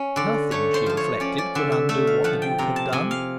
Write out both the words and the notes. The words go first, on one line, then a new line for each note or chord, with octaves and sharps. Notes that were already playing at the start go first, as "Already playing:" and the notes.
Nothing, she reflected, could undo what the Duke had done.
Already playing: C#4
D3 D5
A3 C#5
C5
F3 C5
C#5
C#4 D5
D5
D3 E5
E5
A3 E5
F5
F3 F#5
G5
C3 A#5
A5
C3 G#5
F5